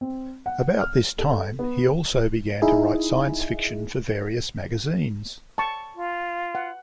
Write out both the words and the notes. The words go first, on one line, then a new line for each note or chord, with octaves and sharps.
About this time he also began to write science fiction for various magazines.
C4
F#5
F6
A4
B3
D#4 E4 G#4
A5 C#6
F4
F#5